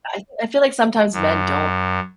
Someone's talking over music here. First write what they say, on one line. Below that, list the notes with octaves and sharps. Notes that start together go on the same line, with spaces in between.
I f I feel like sometimes men don't
F#2